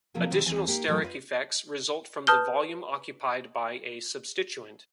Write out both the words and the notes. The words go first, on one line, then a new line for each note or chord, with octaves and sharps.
Additional steric effects result from the volume occupied by a substituent.
C3 F3 F#3 A#3 F4 G#4
B2 D#3 C4 D#4 E4
D#2 E3 C4 G#5
A#3 D#4 G4
A2 E3 F#3 A3 A4
F4 B4 D5 D#5
B4 A5 D#6 F6 G6 G7